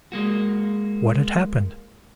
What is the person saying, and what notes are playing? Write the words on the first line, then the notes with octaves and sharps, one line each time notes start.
What had happened?
G#3 A#3 F#4